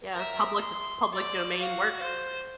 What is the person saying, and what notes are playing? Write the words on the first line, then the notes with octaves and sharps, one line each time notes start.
Yeah, public with public domain works.
A#4 E5
C6
D5
F#4 F5
C5